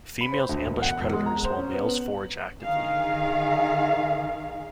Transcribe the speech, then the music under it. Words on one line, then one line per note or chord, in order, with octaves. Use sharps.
Females ambush predators while males forage actively.
B5
C5
D2
E1
F#5
E1
G#3
A#5
C5
C#4
B3
F#7
D3 D#3 G#4 F5